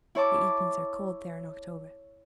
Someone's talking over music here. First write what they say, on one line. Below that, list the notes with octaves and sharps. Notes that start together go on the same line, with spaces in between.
The evenings are cold there in October.
E4 C#5 A5 D6